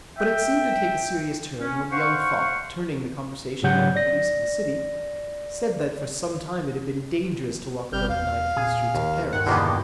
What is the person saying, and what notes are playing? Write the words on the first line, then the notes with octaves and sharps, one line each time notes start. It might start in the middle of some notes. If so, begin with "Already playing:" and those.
But it seemed to take a serious turn when the young fop, turning the conversation on the police of the city, said that for some time it had been dangerous to walk alone at night through the streets of Paris.
E5 G5
C#4
C5 F5 F#5 C6 C#6
G#2 C#3 F#3 G4 F#5 G6
D5 A#6
G1 G3 F6 G6
E2 F5
A#2 G#4
D#2
G2 D#3 F#5
E2 B2 D3 D#3 A#3 B3 G4